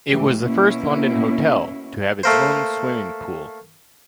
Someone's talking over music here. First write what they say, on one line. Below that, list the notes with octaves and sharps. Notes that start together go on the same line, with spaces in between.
It was the first London hotel to have its own swimming pool.
G#2 E3 A3 G4
B2 A#3 C#4 E4
A3 A#3 C5